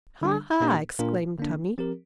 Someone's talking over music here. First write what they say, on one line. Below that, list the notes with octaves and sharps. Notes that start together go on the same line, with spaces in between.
"Ha, ha!" exclaimed Tommie.
D3 G3 D4
A#2 A#3 D4 G4
A#2 A#3 D4 F4 A#4
D3 A#3 D4
F3 C4 G4 A#4